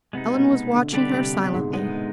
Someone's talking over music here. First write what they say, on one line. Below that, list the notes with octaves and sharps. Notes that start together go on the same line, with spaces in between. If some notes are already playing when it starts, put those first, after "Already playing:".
Ellen was watching her silently.
C3 G#3 B3 D#4
B2
B2
D3
D3 G3 D4 G4 B4 D5
C3
B2
G#2
G#3 B3 D#4